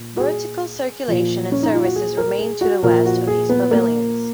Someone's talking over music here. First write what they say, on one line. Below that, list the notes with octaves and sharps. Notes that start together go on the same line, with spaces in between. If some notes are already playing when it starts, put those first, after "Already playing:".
Vertical circulation and services remain to the west of these pavilions.
Already playing: A#2
F#4
G#4
A#2 F3
C#4
D#4
F4
F#4
G#4
A#4
G#4
F#4
A#2 F3 A#4
F#4
G#4
B3
A#3